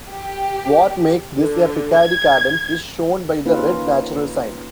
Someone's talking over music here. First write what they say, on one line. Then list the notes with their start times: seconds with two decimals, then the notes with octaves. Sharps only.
What makes this a Picardy cadence is shown by the red natural sign.
0.11 G4
1.37 D3
1.97 G#6
3.45 A#3 C#4 D#4 F4 B4